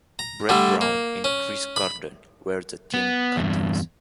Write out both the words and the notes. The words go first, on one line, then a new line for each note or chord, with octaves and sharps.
Brett Brown and Chris Gordon were the team captains.
A#5
D3 G3 A3
A#3
C#4
B5
B3
E2 G2